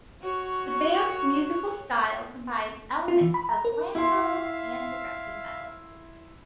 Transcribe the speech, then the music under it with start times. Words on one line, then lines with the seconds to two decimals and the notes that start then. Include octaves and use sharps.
The band's musical style combines elements of glam metal and progressive metal.
0.22 F#4 C#5
3.08 F4
3.21 E3
3.34 B5
3.49 A#5
3.65 A#4
3.95 E4 E5 F5 C6